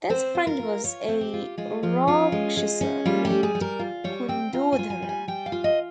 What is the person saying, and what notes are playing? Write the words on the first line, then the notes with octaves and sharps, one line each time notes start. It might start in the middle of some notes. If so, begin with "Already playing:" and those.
This friend was a Rakshasa named Kundodhara.
C4 C5
F4
A#4
F4
F4 C#5
C4
G4
F4
G#3 F4
F3 F4
C#4 F4
G#3
G#3
C#4
G3 F4
G4
G3
G#4
G3
A#4
F4
G3 C#5
C4 G5
F4 A#5
G#5
F4
G#5
G3
G#5
G3 G5
F5
F4
D#5